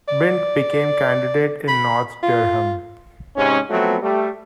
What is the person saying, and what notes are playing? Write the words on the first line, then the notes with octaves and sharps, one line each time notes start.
Bint became candidate in North Durham.
D5
B5
F4
G#2 C3 C#4
F3 F#3 A3 B3 C4 F#4
G3 A3